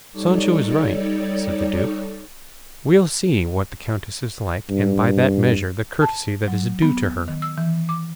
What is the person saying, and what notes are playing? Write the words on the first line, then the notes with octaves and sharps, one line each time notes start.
"Sancho is right," said the duke; "we'll see what the countess is like, and by that measure the courtesy that is due to her."
G3 D#4 A4 C#5 D5
G2
A5
F#3
B3
D#3
E6
E3
D6